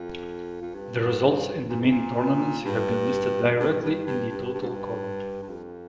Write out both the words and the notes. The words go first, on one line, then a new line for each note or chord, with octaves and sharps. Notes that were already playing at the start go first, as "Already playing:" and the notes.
The results in the main tournaments have been listed directly in the total column.
Already playing: F2
F2
G2
A#2
G#2
A#2
G2
G2
G2
G2
G2
G2
G#2
G2
G2
F2